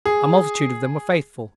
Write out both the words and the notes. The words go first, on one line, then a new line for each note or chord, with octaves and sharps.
A multitude of them were faithful.
G#4